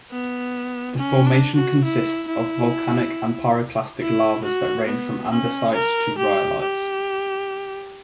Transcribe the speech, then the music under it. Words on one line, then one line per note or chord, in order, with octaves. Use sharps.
The formation consists of volcanic and pyroclastic lavas that range from andesites to rhyolites.
B3
C#4
D4
F#4
E4
E4
E4
F#4
B3
C#4
A#4
G4
G4